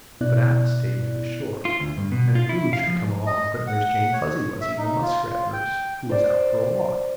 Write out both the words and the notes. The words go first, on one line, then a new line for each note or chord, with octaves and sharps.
But Alice stayed near shore, and who should come along but Nurse Jane Fuzzy-Wuzzy, the muskrat nurse who was out for a walk.
B2 B3 E4 D5 F#6
F4
D2
G2
B2
F4
E4
F5
F3
D#5
F#5
C#5
E5
D#4
F4
F4
G5
C5 D5